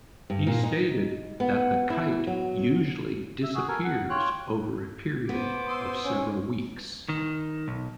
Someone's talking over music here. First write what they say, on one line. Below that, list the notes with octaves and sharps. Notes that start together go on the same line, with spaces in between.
He stated that the kite usually disappears over a period of several weeks.
G2
A#2
D#4
B3
E4
F#3
E5
F#4 G#4
A4 A#4 G#5
F#5
F4 C#5 G5 F#6
B3 C5 D6
C6 D#6 E6
C#4
D#3
B1